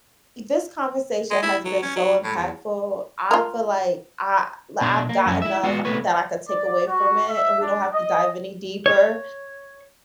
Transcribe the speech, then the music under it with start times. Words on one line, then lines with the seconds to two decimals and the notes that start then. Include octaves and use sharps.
this conversation has been so impactful, I feel like I l I've got enough that I could take away from it and we don't have to dive any deeper,
1.30 G#3
1.43 E4
1.65 F#3
1.82 C#4
1.96 F#3
2.24 A2
2.36 E2
3.31 F4 A#4
4.81 B2 D4 C#5
5.09 A#3
5.26 F#2 F3 C#4
5.42 E4 E5
5.63 G#3 B3 F4 F#4
5.85 C3 A3 B3 B4 C#5
6.49 D5
6.87 F#4
7.28 E5
7.61 D4
7.93 D#5
8.86 C#5